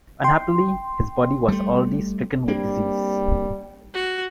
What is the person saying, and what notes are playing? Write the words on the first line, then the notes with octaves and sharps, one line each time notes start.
Unhappily, his body was already stricken with disease.
G5 C6
G3 A3
G3 A#3 C4 D4
F#4